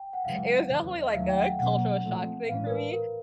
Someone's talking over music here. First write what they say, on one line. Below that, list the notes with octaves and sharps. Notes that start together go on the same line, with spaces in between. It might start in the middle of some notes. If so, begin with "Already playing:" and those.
It was definitely like a cultural shock thing for me
Already playing: G5
F#5
F#2 C#3 E3 G#3 F5
E2 C#3 E3 G3
D#5
E5
D#2 D#3 F#3 A3 F5
G5
F#5
B2 F#3 A#3 C#4 F#5
A#2 F3 A3 C4
A2 E3 G#3 C#4 F5
A#4
B4
A#4